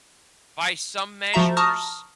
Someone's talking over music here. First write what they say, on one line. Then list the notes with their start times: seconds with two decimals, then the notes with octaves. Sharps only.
by some measures,
1.33 F3 F#4 E5 A#5 E7
1.57 A5 A#5 C#6 D#6 F6 A#6